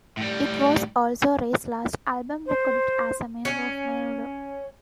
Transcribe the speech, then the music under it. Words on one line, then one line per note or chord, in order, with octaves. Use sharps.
It was also Ray's last album recorded as a member of Menudo.
A2 G3
C5
C#4